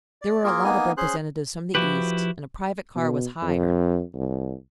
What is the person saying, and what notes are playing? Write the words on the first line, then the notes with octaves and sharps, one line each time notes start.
There were a lot of representatives from the East, and a private car was hired.
D5
A#3 F4 G#4 A#4
A#3 B3 D#4 G#5
C#4 G#4 C5 C6 F#6
F3 E4 F#4 G4 B4
B2
F2
C2